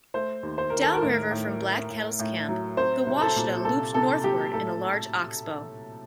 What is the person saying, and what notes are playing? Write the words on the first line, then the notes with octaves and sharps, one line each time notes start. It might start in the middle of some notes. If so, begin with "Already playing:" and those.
Downriver from Black Kettle's camp the Washita looped northward in a large oxbow.
A3 C5
D#2
C5
D#3 A#4
A4
A#4
A2
A2
A3
A2
A2
F#3
C4 C5
C2
A4
A#2
C3 A4
C3 A4
F#3 G4
A2 A4